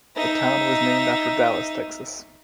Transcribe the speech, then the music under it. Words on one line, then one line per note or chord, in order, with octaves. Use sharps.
The town was named after Dallas, Texas.
D#4 E5